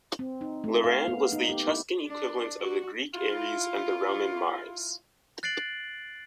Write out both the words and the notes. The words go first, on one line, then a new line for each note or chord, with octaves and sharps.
Laran was the Etruscan equivalent of the Greek Ares and the Roman Mars.
C4
D#4
A3
F5
B3
D#4
G4
E4
D4
F#4
E4 F4
F#6 A6 C7 D7 F#7